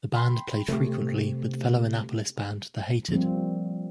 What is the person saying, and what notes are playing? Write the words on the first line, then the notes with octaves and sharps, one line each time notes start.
The band played frequently with fellow Annapolis band The Hated.
G5 B5 C6
C3 A3 G4
F3 G3 A#3 C4